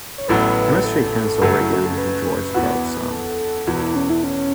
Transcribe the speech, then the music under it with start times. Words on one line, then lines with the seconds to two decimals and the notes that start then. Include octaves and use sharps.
I must shake hands over again with George's godson.
0.18 C#5
0.28 A1 A2 F#3 B3 B4
0.85 A4
1.41 F#2 C#3 F#3 A3
1.61 E4
1.74 F#4
1.86 A4
1.98 B4
2.26 B4
2.54 E2 E3 B3 F#4
3.10 A4
3.67 E1 E2 E3 F#4
3.81 E4
3.96 C#4
4.10 E4
4.24 C#4